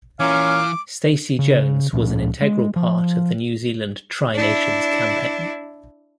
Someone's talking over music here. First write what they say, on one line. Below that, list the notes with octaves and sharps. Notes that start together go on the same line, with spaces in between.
Stacey Jones was an integral part of the New Zealand Tri Nations campaign.
A#2 E3 C#4 F5 D6
C#3
C#2 A#2 F3 C#4
G#3
F3
D4 E4